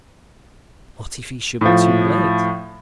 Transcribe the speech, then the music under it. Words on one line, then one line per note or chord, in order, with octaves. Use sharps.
What if he should be too late?
A2 F3